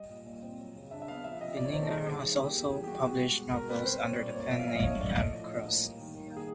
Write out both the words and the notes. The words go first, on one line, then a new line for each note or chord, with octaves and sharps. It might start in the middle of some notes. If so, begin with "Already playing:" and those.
Beninger has also published novels under the pen name Emme Cross.
Already playing: G3 D#5
A#2
A#2
C4
F#3
C#3
D4 E5
E5
B3 F5
F3 E5
C3 D#5
C3 D5
C#5
A#3 C5
A4
G3 G#4
D#3
C#4
A#3 G4
G3 G4
E3 G#4
G4
E3 F#4
B3
G#3
B2
B2 A#4
C4 B4
G3 C5
A#2 C#5
C#4 D5
A#3 C#5
D5
F3 E5
F5
A#2 E5
D#5
D4 C#5
A3 D5
F3 D#5
A2
D4
A#3
G3
D#3
D#3
A#3
G#4